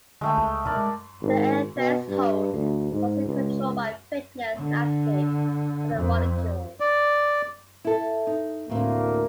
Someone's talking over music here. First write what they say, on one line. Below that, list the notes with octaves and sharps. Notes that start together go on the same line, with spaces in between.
The error threshold is also controlled by the fitness landscape for the molecules.
D3 G#3 A3 G5
C#2
B2 E4 A#4 D5
G#3
G#1
B2
G2
D2
G#2
C#2
D3
F2
D5
E4 A4
D#4
D2 A2 A#3 C4